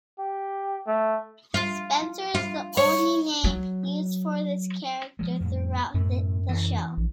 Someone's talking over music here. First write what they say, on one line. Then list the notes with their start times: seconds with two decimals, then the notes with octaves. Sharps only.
Spenser is the only name used for this character throughout the show.
0.19 G4
0.86 A3
1.54 F4
2.35 F4
2.77 C#5
3.44 F#3
5.19 F3 G3 G#3
5.40 F2 A2
5.94 F#2 A2 C3
6.49 E3
6.97 A#1